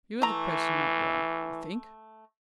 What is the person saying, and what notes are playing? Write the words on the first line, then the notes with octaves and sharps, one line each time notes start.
You are the person not well, I think.
E3 A3 A#5